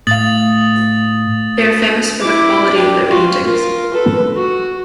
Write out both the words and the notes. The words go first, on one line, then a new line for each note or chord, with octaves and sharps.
They are famous for the quality of their paintings.
A2 A3 F5 D#6 A6 F#7
E4 D6
D4 G4
F4 F#4
F4 A#4
A4 B4
F#4